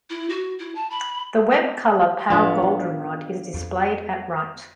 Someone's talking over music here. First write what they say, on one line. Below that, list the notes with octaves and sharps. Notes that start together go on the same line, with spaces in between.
The web color pale goldenrod is displayed at right.
E4
F#4
E4
A5
B5
A2 F3 B3 D4 F4
F2